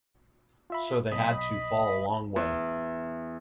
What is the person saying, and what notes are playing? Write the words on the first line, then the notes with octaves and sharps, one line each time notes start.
So they had to fall a long way.
F4 E5 B5
B1 D#5 B5
E2